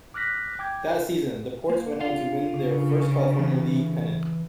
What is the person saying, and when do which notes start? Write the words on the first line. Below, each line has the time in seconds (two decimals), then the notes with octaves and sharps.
That season, the Ports went on to win their first California League pennant.
0.14 D6 F6 F#6 A#6 B6
0.59 G5 D6 G6 G#6
1.70 A#3
2.00 D4 F4 F5
2.54 C#3 D4
3.39 E3